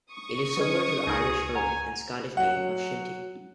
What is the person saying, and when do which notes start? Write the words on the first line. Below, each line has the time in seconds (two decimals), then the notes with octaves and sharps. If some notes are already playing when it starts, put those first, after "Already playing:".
It is similar to the Irish hurling, and Scottish game of shinty.
0.13 C#6 D#6
0.57 F#3 C#4 B4 D#5 G#6
1.07 C#2 D#4 G#4 G6 A#6
1.55 F#5 G#5 A#5 F7
2.37 F#3 F#5